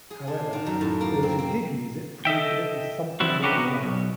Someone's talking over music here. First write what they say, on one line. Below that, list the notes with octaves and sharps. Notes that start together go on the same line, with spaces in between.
However, those who did use it proved that it was something worthwhile.
G#4
D4
C5
D#3
F#2
A2
A#3
C4
C4
A4 D#5 E5 G5
F3 G3 C4 E4 F#4
C#4 D4 F#4 G4 A#4 B4
C3 B3 F#4
B1